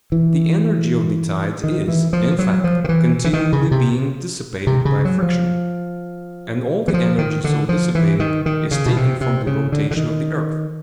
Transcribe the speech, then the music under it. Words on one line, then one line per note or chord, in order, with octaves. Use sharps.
The energy of the tides is, in fact, continually being dissipated by friction, and all the energy so dissipated is taken from the rotation of the earth.
E3
D#3
E3
F3
F#3
F3
D#3
E3
E3
D#3
C#3
C3
C3
C#3
F#3
F3
E3
F3
D#3
D3
F3
E3
D#3
D#3
C#3
B2
C3
C3
C#3
D3
D3
D#3